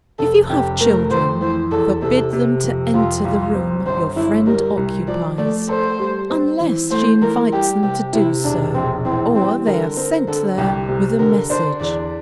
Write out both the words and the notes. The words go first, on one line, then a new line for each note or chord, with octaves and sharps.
If you have children, forbid them to enter the room your friend occupies, unless she invites them to do so, or they are sent there with a message.
F1 A4
F1 G4
A3 A#4
F2 C5
E3 C5
E2 A4
C3 A4
C3
F2
F2 F4
C2 F4
C4
G1 C5
G1 E4
G3 A#4
C2
F3 D5
A3 D5
A4 C5
G3
C4
E3
A3 C5
E3 A#4
G3 G4
C3 G4
C3 E4
E1 D4
A#1 C4
E3 C4
G3 C4
D3 A#4
C4 A#4
D3 A4
C2 G4
C3
D3 A#4
D4 C5
E2 D5